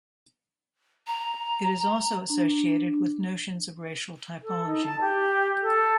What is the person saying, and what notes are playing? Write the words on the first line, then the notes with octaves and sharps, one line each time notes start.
It is also associated with notions of racial typology.
A#5
D4
A4
D#4
A5
G4
A4